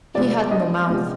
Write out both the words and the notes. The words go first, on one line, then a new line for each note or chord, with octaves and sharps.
He had no mouth.
C3 F3 G#3 B3 D5
D#5
C3 F3 G#3 B3